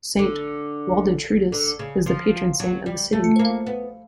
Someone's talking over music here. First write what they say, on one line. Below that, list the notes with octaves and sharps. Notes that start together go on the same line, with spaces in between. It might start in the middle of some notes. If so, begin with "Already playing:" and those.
Saint-Waldetrudis is the patron saint of the city.
D3
D3
C#3
F3
F#3
G3
A3
A#3
B3